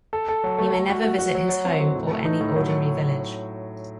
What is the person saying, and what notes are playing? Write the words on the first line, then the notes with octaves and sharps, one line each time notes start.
He may never visit his home or any ordinary village.
A4
A4
F#3
A3
A3
F#4
F#4
F#4
F#3
F#3
C4
F#4
A2
A3
D#4
A2
F#3